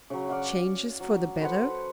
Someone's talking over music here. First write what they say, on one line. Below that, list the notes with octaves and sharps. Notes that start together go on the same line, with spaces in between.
"Changes for the better?"
C#3 F#3
D5 F5 F#5
F#3
A4 B4 C5 F#5